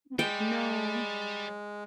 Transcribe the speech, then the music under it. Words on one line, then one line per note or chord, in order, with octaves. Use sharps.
Oh, no.
G3 G#3 G5